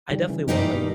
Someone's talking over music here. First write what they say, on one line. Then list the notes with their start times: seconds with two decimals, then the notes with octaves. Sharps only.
I definitely won't, like,
0.10 D#3 G3
0.29 C#3 E3
0.47 G2 D#3 G3 A#3 D#4 G4
0.61 E3
0.74 B2 D#3